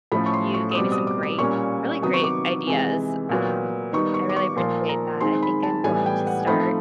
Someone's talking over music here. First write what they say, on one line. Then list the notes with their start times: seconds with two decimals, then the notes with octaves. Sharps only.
you gave me some great really great ideas. Um, I really appreciate that. I think I'm going to start
0.12 A2 F3 A3 C#4 B5
0.26 C#6
0.33 C6
0.54 C#6
0.71 D#6
0.75 B2 G3 C4 D6
0.92 D#6
1.07 D6
1.23 D6
1.39 A#2 G3 A#3 C#4 C#6
2.02 C3 D#3 F#3 B3 D#4 D#6
2.14 C#6
2.24 D6
2.67 C3 E3 G#3
3.29 A#2 F#3 B3
3.93 D#3 G3 B3 D#4 C#6
4.14 C#6
4.29 D6
4.36 C#6
4.56 A#2 F3 A#3 C6
4.89 A#5
5.20 D#3 G#3 C4 D#4 C6
5.42 B5
5.63 A5
5.84 A2 E3 G3 B3 G#5
6.06 G5
6.27 F#5
6.47 F3 A3 C4 D#4 B5